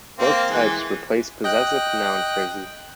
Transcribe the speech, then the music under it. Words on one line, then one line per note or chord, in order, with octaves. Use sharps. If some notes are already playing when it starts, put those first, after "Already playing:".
Both types replace possessive noun phrases.
A#3 C4
E3 G#3
D#5 G5 F#6